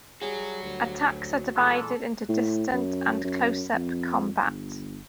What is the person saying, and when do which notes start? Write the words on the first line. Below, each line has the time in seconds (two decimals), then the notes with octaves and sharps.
Attacks are divided into distant and close-up combat.
0.22 G3 F#4 G#4 C#5
0.62 D2
1.55 A#2 E3 G#3 A4
2.29 A2
2.72 F#2
3.24 F#2
3.73 F2
4.43 G1